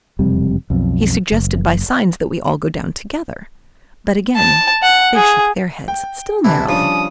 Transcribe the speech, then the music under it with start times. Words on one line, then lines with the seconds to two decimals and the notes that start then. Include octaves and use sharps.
He suggested, by signs, that we all go down together; but again they shook their heads, still merrily.
0.19 E1 F2 C3 G3
0.70 B1 F2
1.32 F#1
4.36 A5
4.83 F#5
5.16 G#4
5.88 G5
6.44 C3 E3 E4 A5
6.69 C#3 F3 G3 D4 D#6